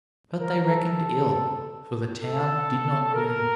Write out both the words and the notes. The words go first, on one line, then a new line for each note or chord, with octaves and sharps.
But they reckoned ill, for the town did not boom.
A#4
A4
A4
A#4